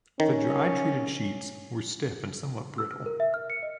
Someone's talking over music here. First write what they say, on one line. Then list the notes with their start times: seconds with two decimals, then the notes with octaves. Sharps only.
The dry treated sheets were stiff and somewhat brittle.
0.20 D#3 C#4
2.78 E6
2.91 F6
3.06 A#4
3.20 E5
3.34 F6
3.50 C#7
3.63 D#5